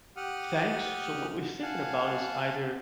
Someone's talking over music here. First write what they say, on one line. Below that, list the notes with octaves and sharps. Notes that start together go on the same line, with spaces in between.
"Thanks." So, what we're thinking about is either
G4 F#5 D#6 F6
F5 F#5 G#5 A5